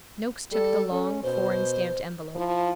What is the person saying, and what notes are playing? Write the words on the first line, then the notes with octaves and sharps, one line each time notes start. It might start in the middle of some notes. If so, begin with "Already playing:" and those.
Noakes took the long, foreign-stamped envelope.
G3 A4
C#4 A4
B2 C5
F3 E4